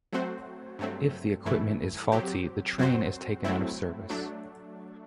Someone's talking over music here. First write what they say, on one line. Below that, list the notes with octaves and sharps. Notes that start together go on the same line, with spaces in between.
If the equipment is faulty the train is taken out of service.
F#3 A3 C4 F#4 C5
G2 F#3 A3 C4
G2 E3 A3 E4
F#3 C4 G4
F#2 F#3 C4 F#4 C5
F#3 A3 C4 E4
F#3 A3 D4